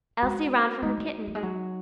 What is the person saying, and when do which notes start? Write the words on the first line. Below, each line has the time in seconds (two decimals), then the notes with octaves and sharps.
Elsie ran for her kitten.
0.23 G#3 F#4
0.82 G#3 D#4
0.98 F#3
1.27 F#3
1.35 G#3
1.43 F#3